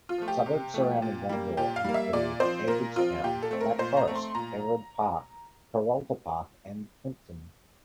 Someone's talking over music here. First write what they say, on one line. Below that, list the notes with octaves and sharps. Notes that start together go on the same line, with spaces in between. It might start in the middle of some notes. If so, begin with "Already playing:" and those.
Suburbs surrounding Glandore include Edwardstown, Black Forest, Everard Park, Kurralta Park and Plympton.
F4
F3 A3
G4
C3
F3 A3
A#2
G3 A#3
A#2 G4
F5
G3 A#3
E5
A#2 D5
F3 C4 C5
A#2 A#4
F3 C4 F4
A#2 G4
A4
A3 C4
A#4
A#2 C5
A#5
A3 C4
C6
A#2 A#5